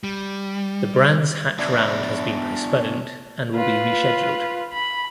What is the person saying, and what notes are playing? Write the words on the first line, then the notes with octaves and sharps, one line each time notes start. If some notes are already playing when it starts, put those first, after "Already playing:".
The Brands Hatch round has been postponed and will be rescheduled.
G3
B3 D4 D5 E5
F4 B4
B5